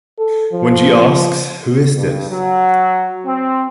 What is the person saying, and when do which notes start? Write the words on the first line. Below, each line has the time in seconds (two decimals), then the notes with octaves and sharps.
When she asks, Who is this?
0.19 A4
0.53 F3
1.94 G2
2.29 F#3
3.26 C4